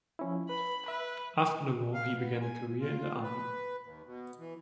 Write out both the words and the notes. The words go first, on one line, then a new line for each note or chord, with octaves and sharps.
After the war, he began a career in the army.
F3 C#4 E4
B4 B5
B4 E5 B5
F5
B3
G#5
F4
B4
D#2
B2
E3